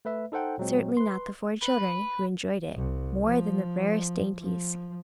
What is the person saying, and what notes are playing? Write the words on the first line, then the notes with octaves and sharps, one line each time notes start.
Certainly not the four children, who enjoyed it more than the rarest dainties.
A3 B4 E5
D#4 A4 C5 F#5 G5
A#2 F#3 G#3 C4
B4 C6
B4
C2
F3
F3